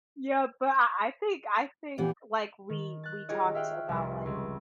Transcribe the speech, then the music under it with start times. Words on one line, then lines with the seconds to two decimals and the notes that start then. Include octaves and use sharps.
Yeah, but I I think I think, like, we we talked about, like,
1.98 A#2 E3 B3 G4
2.70 D#3
3.03 F#6 A6
3.29 D#4 F4 G4 G#4 C#5 D#5
3.54 E5 F5 G5 F6 F#6
3.89 F1 C2
4.23 C#2 C6